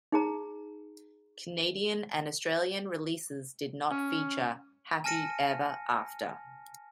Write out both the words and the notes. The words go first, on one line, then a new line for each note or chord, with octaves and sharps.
Canadian and Australian releases did not feature "Happy Ever After".
D#4 G#4 A#5
C#4
G#5 A5 F6 A#6 C#7 D#7